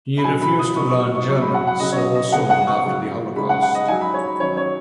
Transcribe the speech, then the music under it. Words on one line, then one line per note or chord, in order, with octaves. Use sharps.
He refused to learn German so soon after the Holocaust.
B5
B2 F#3 C#4 G#5
B5
D#6
B2 F#3 D#4 C#6
C#6
C#6
C#6
F#3 C#4 C#6
B5
F#5
F#5
C#3 F#3 C#4 D#5
C#5
D#5
D#5
C#3 B3 D#4 F#5
F#5
C#6
C#3 F#3 C#4
C#3 G#3 D#4 B5
F#5
F#5
D#5
F#3 D#4 G#5
B5
C#5
D#3 F#3 C#4 C#5
C#5